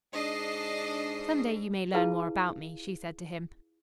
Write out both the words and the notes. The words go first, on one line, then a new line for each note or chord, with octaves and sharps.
'Some day you may learn more about me,' she said to him.
G#2 D4 D#5 C7
E4 F4 G#4 B4 F5 A5